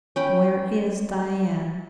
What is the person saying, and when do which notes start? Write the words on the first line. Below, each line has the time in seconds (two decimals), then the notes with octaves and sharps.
Where is Diane?...
0.16 C#4 G5 B5